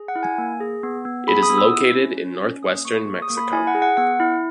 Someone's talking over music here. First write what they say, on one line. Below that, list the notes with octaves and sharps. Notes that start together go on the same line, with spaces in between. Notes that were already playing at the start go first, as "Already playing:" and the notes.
It is located in Northwestern Mexico.
Already playing: G#4
F#5
E4
G#5
A#3
G#4
B3
B3
G#4 B5
D#6
B3
E6
E4
C#4
C#4
C#4
A#3 D#6
A#3 C#6
G#4 C#6
D#6
A#3
B5
E4 G#5
F#5
G#4
F#5
B3 F#5
E4